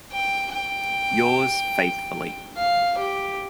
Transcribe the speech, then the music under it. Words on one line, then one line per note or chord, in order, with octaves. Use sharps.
Yours faithfully.
G5
G5
F5
G4